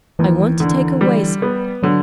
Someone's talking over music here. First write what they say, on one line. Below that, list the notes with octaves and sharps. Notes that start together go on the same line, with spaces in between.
I want to take away something.'
D#2 E3
D3
G3
B3
D3 F#3